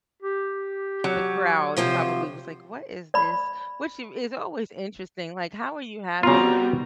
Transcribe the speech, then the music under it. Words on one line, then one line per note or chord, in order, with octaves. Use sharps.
the crowd probably was like, "What is this?" which is always interesting, like, how are you having
G4
F#3
C3 F3 F4
D5 B5
C#3 G3 B3 C4 F4 F#4 A#5